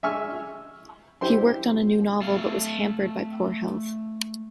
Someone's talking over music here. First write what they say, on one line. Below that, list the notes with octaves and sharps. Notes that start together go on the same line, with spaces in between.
He worked on a new novel but was hampered by poor health.
E5 G#5 C#6 F6
E4 G4 C5 G5 C6
A3 F5